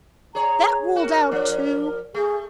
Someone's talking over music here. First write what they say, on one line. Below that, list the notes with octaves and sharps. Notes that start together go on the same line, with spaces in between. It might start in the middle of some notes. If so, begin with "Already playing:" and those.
That ruled out too?
G#4 C#5 A#5
F#4 A#4
F3 D4
A3 G#4